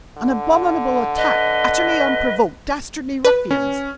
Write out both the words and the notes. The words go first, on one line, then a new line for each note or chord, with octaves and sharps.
"An abominable attack ... utterly unprovoked ... dastardly ruffians!"
D3
B4 D#5
B4
C#4